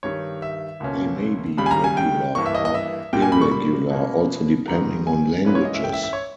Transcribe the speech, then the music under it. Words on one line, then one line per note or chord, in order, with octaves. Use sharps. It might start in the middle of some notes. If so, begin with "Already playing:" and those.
They may be regular or irregular also depending on languages.
G2 D#3 G3 C#5
E5
C#2 B2 A#3 C#4
D#2 C#3 G3 B5
G#5
A#5
G#5
G5
G2 E3 A#3 C#6
E5
D#5
D#5
E5
A#2 G3 A#3 G5
G#5
B5
C#6
B5
B2 A#3 C#4
G#2 D#3 G3 B3 A#5
G#5
G#2 E3 A#3 C#4 B4
C#5
D#5
E5
G5
E5
E5
C#5